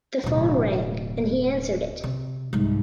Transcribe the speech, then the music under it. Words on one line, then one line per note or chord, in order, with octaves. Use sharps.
The phone rang and he answered it.
D1 B2
C3
C2 G#2